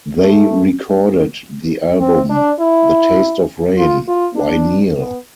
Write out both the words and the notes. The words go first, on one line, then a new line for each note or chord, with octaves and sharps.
They recorded the album The Taste of Rain... Why Kneel?
A3
C4
D4
E4
F4
F4
D4
B3